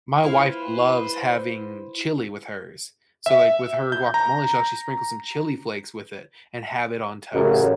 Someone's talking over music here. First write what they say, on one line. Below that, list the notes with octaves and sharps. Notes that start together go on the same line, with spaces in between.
My wife loves having chili with hers. So, like, with her guacamole, she'll actually sprinkle some chili flakes with it and have it on toast.
E4 F4 B4 C5 F5
E5
G6
A#5
A1 F#2 C#3